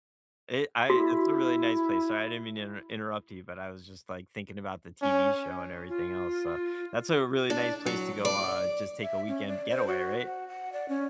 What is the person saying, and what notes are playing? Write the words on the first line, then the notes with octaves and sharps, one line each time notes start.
It I it's a really nice place. Sorry, I didn't mean to inter interrupt you, but I was just, like, thinking about the TV show and everything else, so that's a really nice place to go, uh, just take a weekend getaway, right?
E4 F#4
C#4
F4
D4
F#3
D5
E5
C#4
D5
C5
F#4
F#5
F#5
D5
C#4